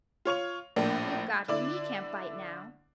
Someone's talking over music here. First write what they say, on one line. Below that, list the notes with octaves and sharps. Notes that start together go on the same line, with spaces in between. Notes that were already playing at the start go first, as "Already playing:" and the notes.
"We've got him; he can't bite now."
F4 C#5 C#6 F7
A#1 A2 A#3 D4
D3 E4 D5